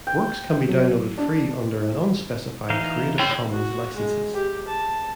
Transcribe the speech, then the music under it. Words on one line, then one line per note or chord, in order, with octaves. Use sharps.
Works can be downloaded free under an unspecified Creative Commons licenses.
G5
F#3
D4
E3 D#4 F5
C#5 G5
F#4
G#3
G4
A5